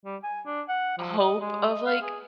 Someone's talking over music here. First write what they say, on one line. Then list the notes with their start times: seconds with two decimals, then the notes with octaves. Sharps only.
hope of, like
0.05 G3
0.23 G#5
0.46 D4
0.68 F#5
0.98 F3
1.18 D#5
1.41 G#3
1.70 D#5
1.86 F5
2.02 G#4